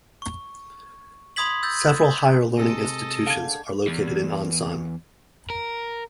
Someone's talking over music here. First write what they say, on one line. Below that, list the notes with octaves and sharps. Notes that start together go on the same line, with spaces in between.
Several higher learning institutions are located in Ansan.
C#6
B5 C6 D#6 G#6 B6 F#7
E6 G6 A6
C3 G#3 A4 D#5
D3 F5 G5 G#6
E2
A#4